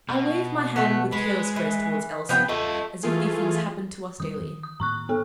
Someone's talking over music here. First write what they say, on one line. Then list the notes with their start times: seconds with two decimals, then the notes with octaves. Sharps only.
I waved my hand with careless grace towards Elsie--as if these things happened to us daily.
0.09 B2
0.76 A3 B3
1.12 G#3 B4
1.56 E3
2.29 F3 B3 G5
2.49 A3 F4 D#5
3.03 E3 A3 F4 G#4
4.20 D#3 G3 C#4 D#6
4.42 D#3
4.63 D#6
4.80 A2 D#3 A#3 A#5 C#6 F#6
5.09 B3 A4